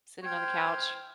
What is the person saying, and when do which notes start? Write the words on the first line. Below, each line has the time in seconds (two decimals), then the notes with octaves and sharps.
sitting on the couch,
0.24 C5 G5 F6 G#6